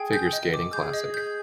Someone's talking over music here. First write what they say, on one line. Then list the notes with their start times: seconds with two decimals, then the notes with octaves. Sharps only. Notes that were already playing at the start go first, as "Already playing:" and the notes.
Figure Skating Classic.
Already playing: G#4 G5
0.13 G6
0.33 D#5
0.54 D6
0.73 G#4 G6
0.94 D#5
1.14 G6